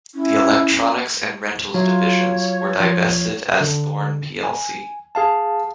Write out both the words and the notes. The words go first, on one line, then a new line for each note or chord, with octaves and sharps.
The electronics and rentals divisions were divested as Thorn plc.
C#4 E4
F#3 F4 C#5
F3
D3
G#5
G#4 F5 A5